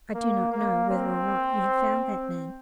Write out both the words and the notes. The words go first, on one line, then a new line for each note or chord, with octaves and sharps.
I do not know whether or not you have found that man.
A#3
A#3
C4